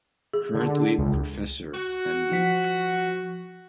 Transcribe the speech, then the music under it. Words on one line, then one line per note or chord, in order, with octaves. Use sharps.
Currently Professor Md.
G#4
D3
C#2
F#4
F3 F#5 B6